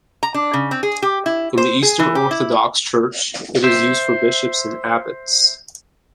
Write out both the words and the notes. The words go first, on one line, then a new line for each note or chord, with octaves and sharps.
In the Eastern Orthodox Church it is used for bishops and abbots.
A#5
D4
C#3
C4
G#4
G4
E4
C5
G#4
E3
G4
E4
C5 E5